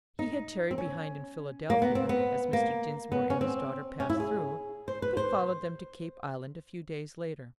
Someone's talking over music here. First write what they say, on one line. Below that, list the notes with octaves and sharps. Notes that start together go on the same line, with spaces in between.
He had tarried behind in Philadelphia, as Mr. Dinsmore and his daughter passed through, but followed them to Cape Island a few days later.
D#4
C4
C#4
A#3
B3
C4
B3
A#3
B3
C#4
C4
C#4
E4
G#4
C5
B4
C5